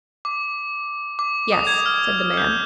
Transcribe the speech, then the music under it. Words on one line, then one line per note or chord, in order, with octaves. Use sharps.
"Yes," said the man.
D6
D6
D#6
G#6
F6
G6